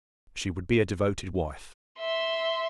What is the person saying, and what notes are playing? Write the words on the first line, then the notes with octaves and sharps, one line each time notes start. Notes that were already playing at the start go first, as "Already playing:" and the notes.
She would be a devoted wife.
E5 C6